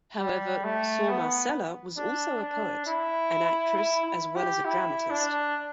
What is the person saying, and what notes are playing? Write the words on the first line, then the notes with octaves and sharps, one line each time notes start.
However, Sor Marcela was also a poet, an actress as well as a dramatist.
G3
A3
B3
D4
D4
E4
E4
E4
G4
E4
D4